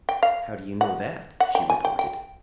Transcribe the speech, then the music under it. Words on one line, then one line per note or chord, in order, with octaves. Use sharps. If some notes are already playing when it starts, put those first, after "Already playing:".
"How do you know that?" she retorted.
G5
F5
F#5
F#5
G5
G#5
G5
G5